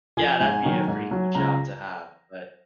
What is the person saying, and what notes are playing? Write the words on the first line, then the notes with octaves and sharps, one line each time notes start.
Yeah, that'd be a pretty cool job to have, but
F3 G#5
G#2 G#5
D#3 F#3
G#2
F#3
C#2 A#5